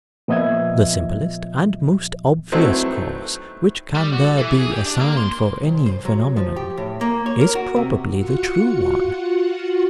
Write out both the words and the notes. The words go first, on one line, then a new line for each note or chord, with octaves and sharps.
The simplest and most obvious cause which can there be assigned for any phenomenon, is probably the true one.
A#2 F3 B3 D#5 E5 G#6
F#3 A3 B3 C4 D#4 E4
G3
F#4
A4
E3
G#4
G4
D4
A#3
C6
C2
C5
F#3
F3
G4
A2
A#3
C#5
A#4
F#4
C3
F4 F#4 F#5 C#7